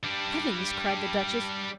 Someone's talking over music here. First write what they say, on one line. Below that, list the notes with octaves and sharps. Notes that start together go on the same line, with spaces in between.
"Heavens!" cried the Duchess.
G3 D4